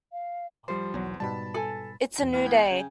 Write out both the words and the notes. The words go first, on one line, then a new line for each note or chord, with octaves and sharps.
It's a new day.
F5
F3 G3 C5
B1 E2 F#3
G#2 B2 G3 A5 B5
A4 G#5
B1 E2
E3 A#3 F6
B3 G5 G#5
C#3 F#3